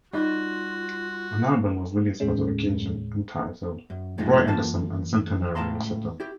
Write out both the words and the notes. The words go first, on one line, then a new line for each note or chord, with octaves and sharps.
An album was released for the occasion, entitled "Roy Henderson: A Centenary Recital".
G3 D#4 F4 F#4 D#5
D#2 A2 C#3 G#3 C#4
F#2
F2 A2 C3 G#3 D#4 F4
F#2 E3 A#3 F4 A5
C#2 A2 F5 A5 A#5 C6
E4 G4